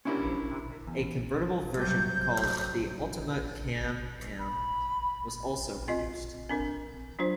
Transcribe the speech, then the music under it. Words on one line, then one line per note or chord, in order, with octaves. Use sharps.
A convertible version called the Ultima Can-Am was also produced.
C#4 D4 E4 G4 A#4
E2
G2 C3 F#3 G6
B5
C4 F4 D#5
C4 D4 A#4
F#3 D4 F4 C5